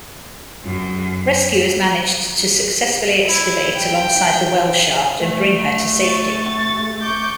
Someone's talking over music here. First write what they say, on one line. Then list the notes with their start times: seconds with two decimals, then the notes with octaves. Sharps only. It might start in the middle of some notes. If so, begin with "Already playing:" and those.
Rescuers managed to successfully excavate alongside the well shaft and bring her to safety.
0.64 F#2
3.25 E4
3.75 G5
5.20 A3
6.03 C#6 A6
7.01 C#6 D6 G6